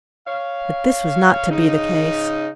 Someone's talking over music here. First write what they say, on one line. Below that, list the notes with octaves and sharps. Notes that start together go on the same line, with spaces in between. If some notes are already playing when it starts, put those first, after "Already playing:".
But this was not to be the case.
C#5 F5
C#3 D#4